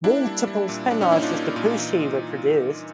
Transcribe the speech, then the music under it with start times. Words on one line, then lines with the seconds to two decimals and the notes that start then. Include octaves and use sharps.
Multiple spin-offs of the Poo-Chi were produced.
0.04 A#3 D4 E4
0.26 G3
0.47 G3
0.69 A#2
0.90 A#2 D4
1.01 C#4 D#4
1.12 A#3 D4 E4
1.22 D#4 F4
1.33 A#3
1.56 A#2
1.77 E3